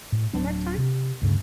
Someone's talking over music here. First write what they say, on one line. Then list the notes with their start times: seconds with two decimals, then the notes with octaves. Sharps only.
One more time?
0.12 A2
0.33 D1 F#3 D4
0.78 C3
1.22 D2 G2 C#3